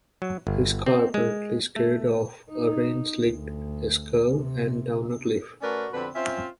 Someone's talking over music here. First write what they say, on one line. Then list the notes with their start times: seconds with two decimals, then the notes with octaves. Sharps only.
His car apparently skidded off a rain-slicked S-curve and down a cliff.
0.22 F#3
0.47 G1
0.86 C4
1.14 G#3
1.76 A3
2.51 D#4
3.23 D2
4.37 C3
5.62 A3 C#4 F#4 A#4 B4 D5
5.92 F2 B2 D3 C4 B4
6.15 C4 C#4 F4 C5 E5